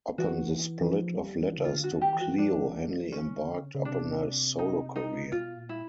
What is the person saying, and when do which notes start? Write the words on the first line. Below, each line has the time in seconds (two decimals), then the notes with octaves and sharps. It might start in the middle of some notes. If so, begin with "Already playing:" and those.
Upon the split of Letters to Cleo, Hanley embarked upon a solo career.
0.18 E3 F#4
0.81 E3
0.91 F3
1.16 G3
1.41 E3
1.58 C#3
1.65 D3 F4
1.84 F#4
1.90 D#3
2.01 G4
2.14 E3
2.20 F#4
2.38 F3 D4
2.63 E3
2.88 F3
3.12 D#3 C#4
3.37 D3
3.61 C#3
3.75 C#3
3.85 C3 D4
4.59 D#4
4.96 D#4
5.32 B2 F4
5.57 A#2
5.69 E4